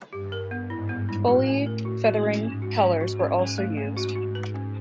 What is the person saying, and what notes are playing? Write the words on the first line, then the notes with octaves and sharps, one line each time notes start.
Fully feathering propellers were also used.
G2 G4
A#4
B3
G#2 E4
B3
E4
A2 F#4
C#4
A#4
F#4
F#4
C#4
G#2 C#4
F#4
C#4
G#2 F#4
C#4
C#4
A3
C#4
F#4
F#4
B4
C#4